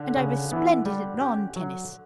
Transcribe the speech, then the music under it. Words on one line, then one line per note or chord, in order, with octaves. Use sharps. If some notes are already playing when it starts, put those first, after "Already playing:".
"And I was splendid at lawn tennis."
Already playing: D3
C#3
E3 B3
G3
C#4 G4
F#3